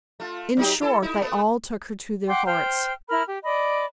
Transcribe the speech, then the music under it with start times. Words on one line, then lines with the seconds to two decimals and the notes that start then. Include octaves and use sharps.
In short they all took her to their hearts.
0.20 A3 F4
0.57 F#3 D#4 G4
0.81 E4 A4
1.02 D#4 E4
1.21 A3 B3
2.29 F#5 G5 C6 D6
2.47 C5 G5 F6
3.09 E4 A#4 B5 F6
3.28 G4
3.44 D5 D#5 B5